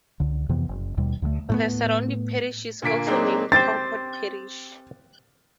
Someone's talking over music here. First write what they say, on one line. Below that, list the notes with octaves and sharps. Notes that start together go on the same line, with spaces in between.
The surrounding parish is also named Concord Parish.
C#2 D3
F2 C3 E3 B3
F#1
D#2 B2 G3
D2 D3 F#3 A3
A2 A3 B3
A#2 D3 A#3 B6 D7
F#3 A#3 C4 D4 D#4 G#4
C4 G4 C5 A6